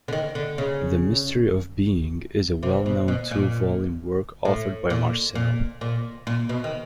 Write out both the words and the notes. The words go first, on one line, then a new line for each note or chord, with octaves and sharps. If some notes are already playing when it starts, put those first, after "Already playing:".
"The Mystery of Being" is a well-known two-volume work authored by Marcel.
D3
D#3
D3
C#3
C3
B2
B2
A#2
A2
A#2
A#2
A#2
A#2
B2
D#3